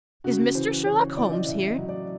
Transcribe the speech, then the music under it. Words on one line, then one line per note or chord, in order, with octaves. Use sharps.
"Is Mr. Sherlock Holmes here?"
C#3 F#4
E3 C5
C#3 C#5
C#5
E3 D5
D#5
A2 E5
D#5
F#3
D5